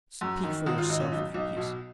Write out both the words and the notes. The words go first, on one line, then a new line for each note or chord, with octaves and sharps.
Speak for yourself, if you please.
F#2
D#3
G#1 F#4
F4
G#1 D#4
C#4
B1 D#4
B1 D#4
B2